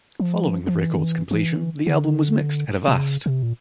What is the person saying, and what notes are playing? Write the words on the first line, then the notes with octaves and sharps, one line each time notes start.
Following the record's completion, the album was mixed at Avast!
F3
F3
E3
D#3
E3
E3
D3
C3
C#3
C3
A#2